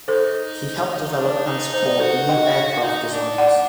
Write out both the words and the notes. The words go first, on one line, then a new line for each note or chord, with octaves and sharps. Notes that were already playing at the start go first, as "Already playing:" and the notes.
He helped develop and support new aircraft designs.
D#4 A4 C5
D4
D#4
D#4 C5
D5
F#4 A4 C5
D#5 G5
D#4
D4
D5 F#5